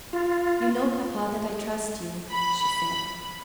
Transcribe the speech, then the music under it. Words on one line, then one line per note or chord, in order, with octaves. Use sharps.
"You know, papa, that I trust you," she said.
F4
B5